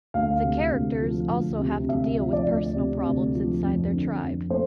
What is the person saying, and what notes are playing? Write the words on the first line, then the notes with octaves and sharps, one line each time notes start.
The characters also have to deal with personal problems inside their tribe.
D2 F5
C3
D2
F3
D2
C3
D2 E5
F3
D5
D2
C3
D2
F3
F2
D3
F2
A3 C5